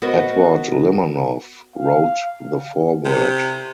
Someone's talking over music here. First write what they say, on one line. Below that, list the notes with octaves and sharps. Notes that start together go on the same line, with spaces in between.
Edward Limonov wrote the foreword.
B3 F#4 A#4 C5 D#5
F5
C3